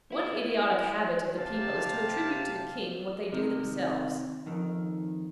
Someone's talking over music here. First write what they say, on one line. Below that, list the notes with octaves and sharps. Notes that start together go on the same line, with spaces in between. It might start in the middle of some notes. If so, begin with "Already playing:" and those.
One idiotic habit of the people is to attribute to the king what they do themselves.
E4
C3 G4 F5 A5
C3 D#3
F2 D#3